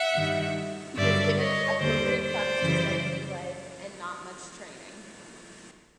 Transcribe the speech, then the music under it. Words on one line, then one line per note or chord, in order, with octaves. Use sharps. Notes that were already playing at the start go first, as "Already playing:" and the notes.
He is given appropriate funds to start a new life and not much training.
Already playing: E5 F#5
G2 D#3 G3
G2 D3 F#3 D5 E5
C#5 D#5
D#2 D3 G3 C5 D5
C5 D5
F#2 C#3 E3 G3